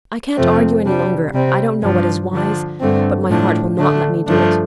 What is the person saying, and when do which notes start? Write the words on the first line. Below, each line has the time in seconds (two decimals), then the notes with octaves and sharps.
I can't argue any longer,--I don't know what is wise; but my heart will not let me do it.
0.37 F2 C3 F3 A3 C4
0.85 C3 G3 D4
1.33 C3 G3 C4
1.83 G2 F3 D4
2.32 D3 F3 D4
2.80 G2 D3 A3 C4
3.29 A2 F3 D4
3.78 D3 A3 D4
4.27 G2 F3 A3 D4